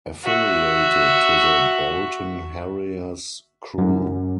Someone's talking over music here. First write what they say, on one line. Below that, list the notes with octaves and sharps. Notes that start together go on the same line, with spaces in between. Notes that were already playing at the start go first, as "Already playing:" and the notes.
Affiliated to the Bolton Harriers crew.
F#4 E5
F#2